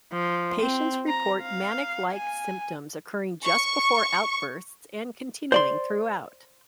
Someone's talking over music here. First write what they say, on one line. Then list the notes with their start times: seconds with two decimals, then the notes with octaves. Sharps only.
Patients report manic-like symptoms occurring just before outbursts and continuing throughout.
0.13 F3
0.61 C4
1.08 A#5
1.42 F5
2.13 G#5
3.45 C#6
5.52 C5 D5 C6